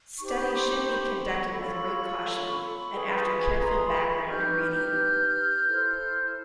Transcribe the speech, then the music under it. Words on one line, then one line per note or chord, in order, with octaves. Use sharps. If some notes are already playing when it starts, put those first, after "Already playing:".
Studies should be conducted with great caution, and after careful background reading.
D#4 G4 C5 C#6
D6
B5 C#6
D#6
C6 D6
B5 C#6
F4 A4 C#5
F4 G#4 B4
A#5 C6
B5 C#6
B5 C#6
D#4 G4 B4 F6 G6
F6 G6
E4 A4 C5